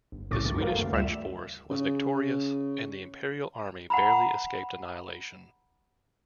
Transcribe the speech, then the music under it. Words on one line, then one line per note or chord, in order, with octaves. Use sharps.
The Swedish-French force was victorious, and the Imperial army barely escaped annihilation.
G1
C2 A2 C#3 C#6 D6 A6
F#2 D#3 F#3 G#3
F#4 A4 A#4 F5
C#3 A3
D2 G3 F4 D5 E5 E7
C#3
F#5 A#5 B5